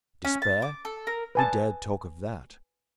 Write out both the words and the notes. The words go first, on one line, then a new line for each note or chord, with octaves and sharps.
Despair! Who dared talk of that?
C#4
A5
D6
A4
A#4
B4 G#5 A5